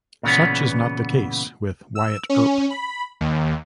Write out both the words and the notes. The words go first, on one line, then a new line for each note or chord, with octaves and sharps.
Such is not the case with "Wyatt Earp".
A#2 C#3 E3 B3
E6
C#4
B5
D#2